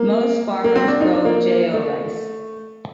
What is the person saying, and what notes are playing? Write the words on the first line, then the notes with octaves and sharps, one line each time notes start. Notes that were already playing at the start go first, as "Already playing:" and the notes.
Most farmers grow Jao rice.
Already playing: A#3
A#3
C4
D4
D#4
D4
A#3
A3